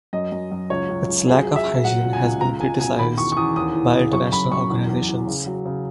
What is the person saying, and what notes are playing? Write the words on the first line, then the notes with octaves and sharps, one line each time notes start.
Its lack of hygiene has been criticized by international organisations.
F#2 D#5
F#2
F#2
C#2 C#5
C#2
C#2
F#3 G#4
F#3
E5
F#3
F#3 F#5
C#2
G#5
C#2
C#2 A#5
C#2 G#5
B2 G#5
D#3 B5
E2 C#6
C#6
E2 D#6
D#2 D#6
E3
C#3
F#2 C#6
F#2 B5
F#2 C#6
E2
E2
E2
C#3
F#3
C#3